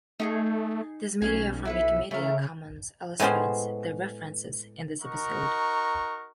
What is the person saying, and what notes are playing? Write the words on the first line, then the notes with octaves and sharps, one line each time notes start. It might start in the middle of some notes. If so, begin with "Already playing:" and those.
This media from Wikimedia Commons illustrates the references in this episode.
A3 D#4 G4 G#4
B1 C#4 G#4
E4 A4 B4
C#3 A3 A#4
A2 G#3 B3 C#4 C5 C6
D#4 F#4 A#4 C#6